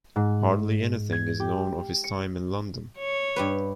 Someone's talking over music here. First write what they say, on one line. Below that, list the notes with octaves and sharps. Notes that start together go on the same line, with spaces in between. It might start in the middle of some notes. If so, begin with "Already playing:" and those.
Hardly anything is known of his time in London.
G#2
G#6
G4
C#7
C#5
G2 G4 B4